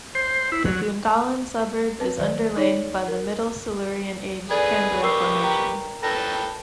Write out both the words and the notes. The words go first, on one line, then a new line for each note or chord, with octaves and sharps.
The Gungahlin suburb is underlain by the middle Silurian age Canberra Formation.
C5
E4
F#3
C4 B4
D#3 F#3 C5 D5
D#4 G#4 C#5 D5
A#4
G#4 A4 B4 D5 G#6
G4 A#4 B4 C#6 E6 C7
G5 A#5
A4 B4 G5 A#6